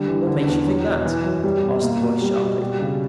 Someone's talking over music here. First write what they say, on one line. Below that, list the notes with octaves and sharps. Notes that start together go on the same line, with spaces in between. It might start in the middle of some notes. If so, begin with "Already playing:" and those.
"What makes you think that?" asked the voice sharply.
Already playing: D3 G3
E3
D3
E2
F#3
B2
E3
F#2
G3
B2
A#3
B2
G3
B2
G3
C#3